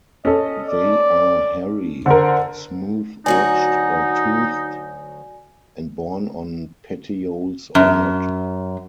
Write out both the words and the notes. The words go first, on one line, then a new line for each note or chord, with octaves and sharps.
They are hairy, smooth-edged or toothed, and borne on petioles or not.
C#4 A4 D#5
D5
D3 A#4 C5
D2 F#3 D#4 F#4 D5 G#5
F#2